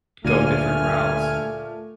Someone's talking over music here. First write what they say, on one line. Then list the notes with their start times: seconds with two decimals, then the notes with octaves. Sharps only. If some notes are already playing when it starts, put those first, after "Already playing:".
go different routes.
0.25 D2 G2 A#2 A3 G#5 F6 D#7